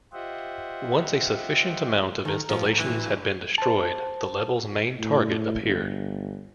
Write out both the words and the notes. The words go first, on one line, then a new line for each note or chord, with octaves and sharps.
Once a sufficient amount of installations had been destroyed the level's main target appeared.
F4 G4 C5 D#5 E5 F#5
D#3 A4 A#5 F6
A2 F3
G1 E3 F#3
C5 A5
A2
G1